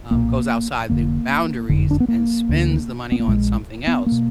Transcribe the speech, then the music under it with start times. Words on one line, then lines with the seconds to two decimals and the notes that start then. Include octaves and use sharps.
um, goes outside the boundaries and spends the money on something else?"
0.11 B1 A#2 A#3
0.90 F1 F2 D3 A#3
1.69 F#1 F2 D3
1.91 D4
2.00 B3
2.08 A#3
2.49 D2 D3
3.12 B3
3.20 A#3
3.27 A#1 A#2 G#3
3.87 B3
4.06 A#3
4.12 B2